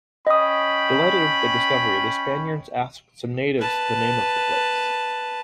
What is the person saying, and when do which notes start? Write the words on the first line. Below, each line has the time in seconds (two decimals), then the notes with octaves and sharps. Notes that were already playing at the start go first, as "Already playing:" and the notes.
Delighted with their discovery, the Spaniards asked some natives the name of the place.
0.27 C#4 D#5 G5 B5 D#6
3.58 B4 A5